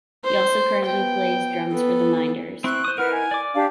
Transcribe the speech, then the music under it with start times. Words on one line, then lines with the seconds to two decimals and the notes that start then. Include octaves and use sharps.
He also currently plays drums for The Minders.
0.24 C5
0.86 B3 G5
1.71 B3 A4
2.64 C4 E4 C#6 F#6
2.85 C5 D#6
2.98 D#4 E4 A#4 B4 F#5 F6
3.12 G#5
3.31 D5 D6
3.55 D4 G4 F5